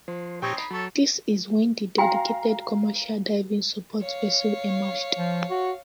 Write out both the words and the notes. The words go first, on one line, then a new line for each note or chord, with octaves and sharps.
This is when the dedicated commercial diving support vessel emerged.
F3 C5
A#2 C4 C#4 D#4 G4 G5 C#6 G#6
D#4 B5 C7
F#3 A4 C#5
F#4 F5 G5 G#5 A#5
C#5 F5
F3
F#4